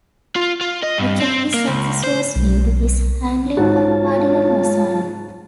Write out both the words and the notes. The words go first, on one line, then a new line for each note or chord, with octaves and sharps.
Much of his success was due to his handling of Cardinal Mazarin.
F4
F4
D#5
G2
C4
A#3
C#2
C5
B1
G#2 G#3 D#4 F4 F#4 C#5 A5